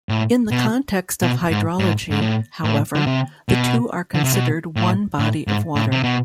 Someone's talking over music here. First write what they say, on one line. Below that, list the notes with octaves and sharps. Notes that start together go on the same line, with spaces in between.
In the context of hydrology, however, the two are considered one body of water.
A2
B2
B2
G#2
G#2
G#2
A2
A2
D3
C3
B2
D3
C3
B2
A2
A2
G#2
A2
C3
B2